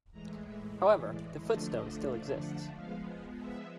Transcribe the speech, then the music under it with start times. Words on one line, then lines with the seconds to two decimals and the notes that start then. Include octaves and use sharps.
However, the footstone still exists.
0.12 A2 E3 G#3 A#5
0.44 E5
0.77 E5
1.09 D5
1.42 D3 F3 A3 D4 D#5
1.74 D#5
2.07 F5
2.40 F#5
2.73 F3 G#3 B3 F5
3.37 E5